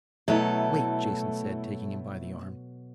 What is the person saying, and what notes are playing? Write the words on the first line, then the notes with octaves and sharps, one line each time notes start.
"Wait," Jason said, taking him by the arm.
B2 F#3 A3 E4 A4